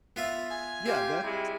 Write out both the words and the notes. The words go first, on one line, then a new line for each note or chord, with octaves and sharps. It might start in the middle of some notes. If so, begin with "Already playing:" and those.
Yeah, that's
B3 F4 E5
G#5
C4 F4 G4
G3 G#3 E4